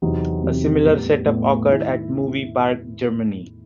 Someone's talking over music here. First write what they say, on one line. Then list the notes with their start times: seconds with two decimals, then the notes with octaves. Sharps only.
A similar set-up occurred at Movie Park Germany.
0.02 E2 C3 F#3 C4 D#4
0.43 E2 C3 F#3 C4 D#4
0.85 A2 G3 B3
1.26 A2 G3 B3
1.67 D#3 A3 E4